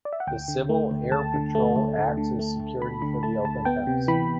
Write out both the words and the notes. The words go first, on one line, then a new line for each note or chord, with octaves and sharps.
The Civil Air Patrol acts as security for the open house.
D5
E5
F#5
D2 G5
D3
A3
D2
D2 A5
D3
A3
D2
D2
D3
A3
D2
D2 B5
D3 B5
A3 A5
D2 A5
B3 G5
C3
E3 B5